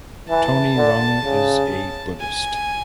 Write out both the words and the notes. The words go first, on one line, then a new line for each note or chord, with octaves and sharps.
Tony Leung is a Buddhist.
E3 A5
D3
C#3
G#5